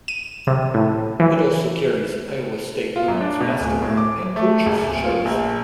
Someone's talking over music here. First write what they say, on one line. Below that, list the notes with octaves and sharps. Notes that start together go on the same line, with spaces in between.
It also carries Iowa State women's basketball and coaches' shows.
D#7
C3
A2
E3
F4
F#2
D4
B2
D1
A2
D6
A3
F#1
D1
F4
A#1